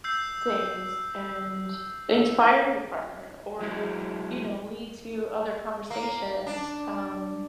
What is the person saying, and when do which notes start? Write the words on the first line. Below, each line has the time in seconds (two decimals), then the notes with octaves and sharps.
things and inspire your partner or you know, lead to other conversations, um
0.04 E6 G6 C7
3.61 F#3 G#3 E4
5.90 A#3
6.47 D4